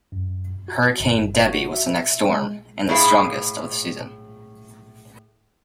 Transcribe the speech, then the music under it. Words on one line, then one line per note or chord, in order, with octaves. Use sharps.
Hurricane Debby was the next storm and the strongest of the season.
F#2
F#4
G1
F#4
E5
G#3
A2 E4 G#4 F5